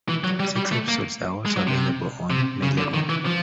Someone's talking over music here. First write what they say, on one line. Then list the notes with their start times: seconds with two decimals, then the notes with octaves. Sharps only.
Six episodes are also available on Media Go.
0.09 E3
0.24 F#3
0.40 G3
0.57 G3
0.72 A3
0.88 A#3
1.46 G#3
1.57 F#3
1.67 C3
2.30 C3
2.63 C#3
2.78 D3
2.94 D#3
3.09 E3
3.26 F3